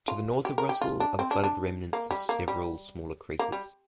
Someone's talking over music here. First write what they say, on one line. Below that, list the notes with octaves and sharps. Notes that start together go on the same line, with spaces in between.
To the north of Russell are the flooded remnants of several smaller craters.
F4
G4
A#4
G4
F4
D4
C4
D4
D4
A#3
G3
A#3
G3
A#3
G3